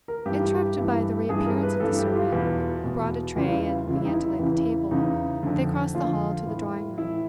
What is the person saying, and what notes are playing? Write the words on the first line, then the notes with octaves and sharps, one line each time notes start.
Interrupted by the reappearance of the servant, who brought a tray and began to lay the table, they crossed the hall to the drawing-room.
A#4
G2 E3 G4
G2 E3
G2 E3 G#4
A#4
B4
G2 E3 A4
G4
F4
E2 B2
E2 B2
E2 C#3 E3 F4
E2 C#3 E3 F4
E4
D#4
E4
E2 C#3 E3
E2 C#3 E3 D#4
F2 D3
F2 D3 F4
A2 E3
A2 E3 E4